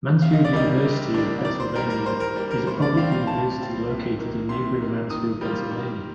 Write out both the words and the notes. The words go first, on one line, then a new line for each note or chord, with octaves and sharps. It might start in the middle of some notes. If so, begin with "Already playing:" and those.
Mansfield University of Pennsylvania is a public university located in neighboring Mansfield, Pennsylvania.
C3 F5
D#5
D5
G3 A#3 D4 D#5
C3
G3 A#3 D4
D#3 D5
C5
G3 A#3 A#4
A#4
D#3 C5
A#4
G3 A#3
A#4
A2 C5
D5
G3 C4 F5
F5
A2 A5
G3 C4
C3
D#3 A#3
C3 C6
D#3 A#3
D#3 D#6
G3 A#3 F4
D#3